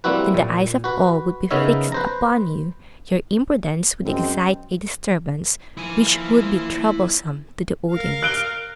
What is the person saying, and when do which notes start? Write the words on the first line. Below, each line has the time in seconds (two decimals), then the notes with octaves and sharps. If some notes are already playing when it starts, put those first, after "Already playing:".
Then the eyes of all would be fixed upon you; your imprudence would excite a disturbance, which would be troublesome to the audience.
0.04 G3 A#3 C4 E4 F#4 B4
0.34 A#2
0.84 F#4 B4
1.51 C#3 B3 D#4 A#4 C#5 E5
1.92 B4 C5 A#5
4.05 F#2 G#3 C4
5.77 F3 A#3 E4 G#5
7.91 A#4 F5
8.23 F#6 D7 G7